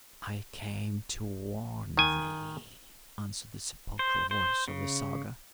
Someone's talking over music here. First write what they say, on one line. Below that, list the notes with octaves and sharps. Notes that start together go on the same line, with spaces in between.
'I came to warn thee,' answered the sepulchral voice of the saga.
D#3 G#5
C5
C5
C#3